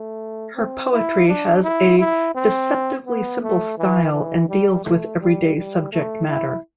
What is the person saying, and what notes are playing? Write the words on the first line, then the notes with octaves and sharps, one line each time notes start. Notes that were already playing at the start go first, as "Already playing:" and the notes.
Her poetry has a deceptively simple style and deals with everyday subject matter.
Already playing: A3
C4
E4
D4
E4
E4
C4
B3
A3
E3
E3
G3
A3
G3
G3
A3
E4